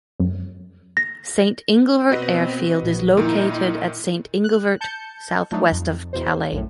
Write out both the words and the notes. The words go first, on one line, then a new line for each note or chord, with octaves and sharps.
Saint-Inglevert Airfield is located at Saint-Inglevert, south west of Calais.
F#2
A#6
B2 C4 F#4 B4 D#5
A#1
A#2 D#3 D#4 E4
F#6
A5 G6 C#7
F3 F#3 A3 D4 D#4
F2
E2 B2 C5
A#1 F#2 A2